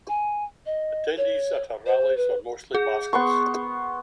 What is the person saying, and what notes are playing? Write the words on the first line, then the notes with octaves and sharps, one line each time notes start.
Attendees at her rallies were mostly maskless.
G#5
D#5
C#5
C5
B4
G#4
B3 C6 C#6